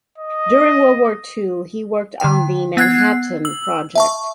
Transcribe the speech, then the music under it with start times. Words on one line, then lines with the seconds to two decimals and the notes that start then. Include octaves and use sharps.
During World War II, he worked on the Manhattan Project.
0.18 D#5
2.20 D3 G5
2.77 B3 F#5 F#6 G#6 C7
3.45 E6 F#7
3.95 E5 A5 C#6